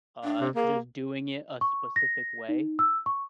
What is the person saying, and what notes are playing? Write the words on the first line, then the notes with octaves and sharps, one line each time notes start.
uh, just doing it a specific way.
D4
C3
A#3 G#4
C#6
A#6
D#4
E6
C#6